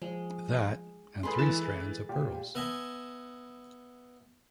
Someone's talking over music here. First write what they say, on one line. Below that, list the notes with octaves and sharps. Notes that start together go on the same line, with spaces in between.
That, and three strands of pearls!
F3 G#3
G#3 G#4 A4 B4 C6
E3 A6 E7
A#2 G4
B3 D#5 E5 G#5 A5